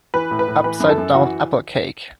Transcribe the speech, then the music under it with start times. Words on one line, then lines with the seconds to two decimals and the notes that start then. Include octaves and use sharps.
Upside down apple cake.
0.14 E3 B4
0.31 A2
0.39 B4
0.48 A2
0.64 E3 B4
0.80 F#2
0.89 A4
0.98 F#2
1.14 E3 F#4